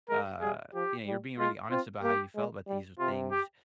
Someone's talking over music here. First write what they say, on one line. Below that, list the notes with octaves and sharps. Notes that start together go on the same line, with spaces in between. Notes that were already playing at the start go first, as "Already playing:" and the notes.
uh, you know, you're being really honest about how you felt about these things.
G#3 A#4
G3 G#4
F3 G4
G3
G#3 F4
C4 F4
A#3 G4
G#3
G3
C3 F4
G4